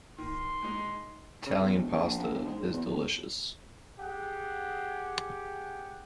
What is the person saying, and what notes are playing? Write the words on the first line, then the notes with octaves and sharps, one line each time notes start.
Italian Pasta is delicious.
D#3 C6
G#3 D#4
C#3
E2
E1
A1
A#1
A#1
E1
G#2
G#1
E2
B1
G4 G#4 F#5